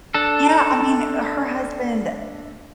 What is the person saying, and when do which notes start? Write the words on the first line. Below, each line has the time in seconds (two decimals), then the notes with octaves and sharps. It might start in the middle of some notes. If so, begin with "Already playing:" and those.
Yeah. I mean, her husband
0.14 D4 A4